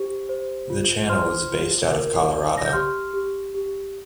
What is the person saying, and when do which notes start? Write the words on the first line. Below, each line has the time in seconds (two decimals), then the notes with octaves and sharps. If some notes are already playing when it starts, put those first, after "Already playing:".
The channel is based out of Colorado.
Already playing: G4 C5
0.29 C5
0.70 F4
1.09 C5 C6 F6
1.51 F4
1.92 A#4
2.33 D5
2.57 A#6
2.66 G6
2.73 G4 C6 F6
3.13 G4
3.54 G4